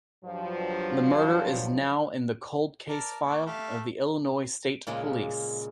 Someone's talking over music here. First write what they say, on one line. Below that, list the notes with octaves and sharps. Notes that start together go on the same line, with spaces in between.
The murder is now in the cold case file of the Illinois State Police.
G2 F3 F#3
A#4 D5 A5
A#3 D5 C#6
A3 G4 A4 E5 F5
A#2 C#3 G#3 A#3